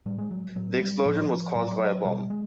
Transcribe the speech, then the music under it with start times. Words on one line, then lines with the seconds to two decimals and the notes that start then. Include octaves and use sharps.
The explosion was caused by a bomb.
0.06 A2 G3
0.18 G#3
0.31 F#3
0.56 A2 F#3
0.80 G3
1.05 A2 F3
1.55 A2 F#3
2.05 B2 G3
2.30 G#3